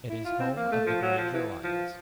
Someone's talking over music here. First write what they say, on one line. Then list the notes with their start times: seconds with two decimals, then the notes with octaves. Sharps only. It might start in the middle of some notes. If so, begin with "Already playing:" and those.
It is home of the Granger Lions.
0.09 E4
0.25 F4
0.40 C4
0.56 A#3
0.71 A3
0.86 F3
1.02 F#3
1.17 F3
1.33 E3
1.63 F3